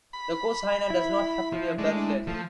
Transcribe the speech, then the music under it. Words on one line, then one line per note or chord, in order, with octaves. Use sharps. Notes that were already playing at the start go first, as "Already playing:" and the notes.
The co-signer does not have to be a blood relative.
B5
E4
F3
G#3 A3 D4
F3 A3